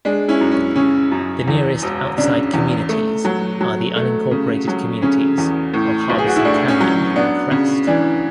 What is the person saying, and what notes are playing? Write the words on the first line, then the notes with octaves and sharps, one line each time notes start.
The nearest outside communities are the unincorporated communities of Harbison Canyon and Crest.
G#3 D4
C#4 E4
F#2
C#4
C#3 C#4
F#2
E2
E1
C#3 D4
E2
A3
F#3
F#3
A3
C#3
F#3
C#3 C#4
E2
A2
B1
G#4
F#4
E4
A2 D4
C#4
F#3
B3 D4
C#3
E3 D4